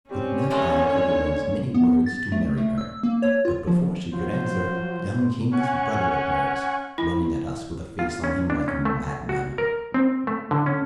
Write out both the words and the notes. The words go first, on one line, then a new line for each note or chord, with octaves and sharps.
With that I offered in as many words to marry her, but before she could answer, down came this brother of hers, running at us with a face on him like a madman.
G3 C4 C#4
F3 G#3 A3 C#5
D3 C#5
B3
A6
A3
A3
E6
A#3
C#5
F4
F3
F3 F#3 C5
C#4 F#5 G#5 C#6
E4
F4
C#4
D4
C#4
A3
F#4
A#4
C4
A3
D3
C#4